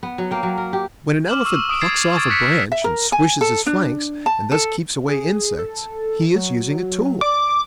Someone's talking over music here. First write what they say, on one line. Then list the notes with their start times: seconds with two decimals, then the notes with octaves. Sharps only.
When an elephant plucks off a branch and swishes his flanks, and thus keeps away insects, he is using a tool.
0.03 B3
0.18 F#3
0.31 A#3 G5
0.43 F#3
0.57 A#4
0.73 G4
1.28 D6 F6 E7 F#7
1.45 C#6 E6 E7
1.69 D#6 D7 E7
1.81 G#6 A6 C7 E7
2.14 C#6 D6 G#6 A6 D7
2.29 D#6 F#6 B6 C#7 D7 E7
2.72 E5
2.84 A#4
3.12 G#5
3.41 A4
3.66 D4
4.26 A5
4.52 A4
5.09 G#4
5.59 A4
6.36 F#3
7.21 D5 D6